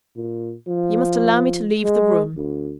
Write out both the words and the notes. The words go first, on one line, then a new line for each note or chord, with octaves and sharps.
You must allow me to leave the room.'
A#2
F3
G#3
D2